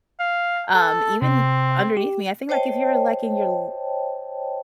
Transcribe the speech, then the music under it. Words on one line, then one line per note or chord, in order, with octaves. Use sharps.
um, even underneath me. I think, like, if you're, like, in your l
F5
A4
C3 C4
G4
C5 C#5 D#5 G5 A5